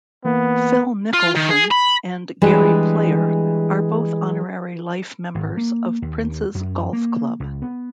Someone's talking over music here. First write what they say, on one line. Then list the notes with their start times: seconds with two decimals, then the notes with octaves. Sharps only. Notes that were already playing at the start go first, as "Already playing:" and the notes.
Phil Mickelson and Gary Player are both honorary life members of Prince's Golf Club.
0.25 E3 A#3 B3
1.14 F4
1.36 D#3
1.51 G#4
1.71 B5
2.42 E3 G3 G#3 D4
5.35 G#1
5.57 A#3
6.02 D#2
6.55 F#2
6.93 A#3
7.40 C#2
7.62 B3